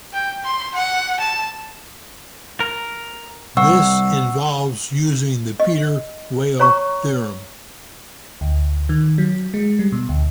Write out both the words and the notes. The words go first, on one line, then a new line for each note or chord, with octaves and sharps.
This involves using the Peter-Weyl theorem.
G5
C6
F#5
A5
A#4
C2 F#5 C#6 E6
D#5
C#5 A#5 C#6
D2
D#3
F#3
G#3
G3
B2
D2